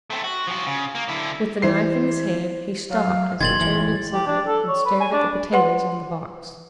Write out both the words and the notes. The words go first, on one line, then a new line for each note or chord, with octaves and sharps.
With the knife in his hand he stopped as he turned inside and stared at the potatoes on the box.
A3 C4
F#4
F3 F#4
C#3
A#3
D3 E4
E3 C5 C7
F#3 F5
E1 F#2 A#2 D#3 C6 G#6 A6 F#7
A1 A2 E3 F#7
G4
D4
A4
C#5
B4
G#5
D4
B4 F#5 C6